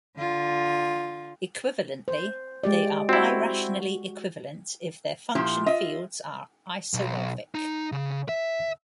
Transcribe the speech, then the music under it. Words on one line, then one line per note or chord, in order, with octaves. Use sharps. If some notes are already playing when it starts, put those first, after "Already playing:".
Equivalently, they are birationally equivalent if their function fields are isomorphic.
D3 F4
C5
G#3 G4 D5
C4 E4 F#4
A#2 F3 E4 G4 C5
F4 D#5 E5
B1
D#4
C#3
E5